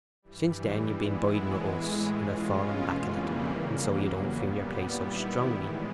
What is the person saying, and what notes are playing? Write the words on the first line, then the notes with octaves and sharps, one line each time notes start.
Since then you've been biding with us, and have fallen back a little, and so you don't feel your place so strongly.
G2 E3 G3
E3 G#3 B3 E4
A2 E3 G#3
B2 G#3 C#4 F4
F2 C#3 E3 G3 A#3
E2 C#3 F#3 A#3
A#2 G3 B3
D#3 G3 B3 E4
A2 E3 G#3